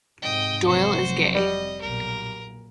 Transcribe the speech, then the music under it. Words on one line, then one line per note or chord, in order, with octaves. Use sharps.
Doyle is gay.
G#2 C3 D#5 G5
F1 C3 F#3 F#4 C5
G3 D#5
B1 A#2 A#4